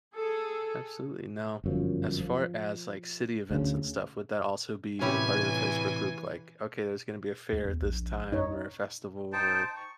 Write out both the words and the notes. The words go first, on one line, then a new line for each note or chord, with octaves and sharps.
absolutely. Now, as far as, like, city events and stuff, would that also be a part of the Facebook group? Like, "Okay, there's gonna be a fair at this time or a festival or
G#4 A4
G1 F#2 F3
F3
D2 C#3
A2 C3 E3 C#4 E4 G4 G#5
D2
E2
A#1
F#2 D#4 C#5
D#4 C5 G5 A5
C#6